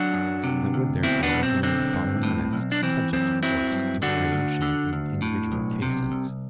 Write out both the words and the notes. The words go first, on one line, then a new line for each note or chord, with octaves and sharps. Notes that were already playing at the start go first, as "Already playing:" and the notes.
I would, therefore, recommend the following list, subject, of course, to variation in individual cases.
Already playing: F#3 D4 F#4
F#2
C3
D2
B2 C4 E4
B3 D4
B1
C4
D3 C4
G2
A2
B1
D4
E3 C4
F#2 C4
F#3 C4 E4
G2
D3 D4 F#4
D2
D3
D2
A2
B1
C3
C2